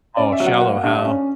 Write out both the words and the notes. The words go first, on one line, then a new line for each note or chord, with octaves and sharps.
Oh, Shallow Hal.
C#4 D5
E5
F#3
F#5
A#3 F#5
G2
C#4